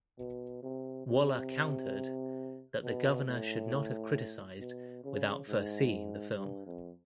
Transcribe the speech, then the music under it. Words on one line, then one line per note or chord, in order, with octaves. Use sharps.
Waller countered that the Governor should not have criticized without first seeing the film.
B2
C3
C3
B2
A2
B2
C#3
G#2
G2
F2